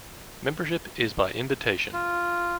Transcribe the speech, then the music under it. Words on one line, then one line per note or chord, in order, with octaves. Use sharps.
Membership is by invitation.
F4